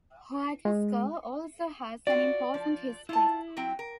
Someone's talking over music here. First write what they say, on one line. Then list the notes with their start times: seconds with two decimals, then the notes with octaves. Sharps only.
Huatusco also has an important history.
0.65 G#3
2.07 F4 F#4 D5
2.54 F3
3.09 E4 F4 A5
3.57 F#3 C4 G5
3.79 A#4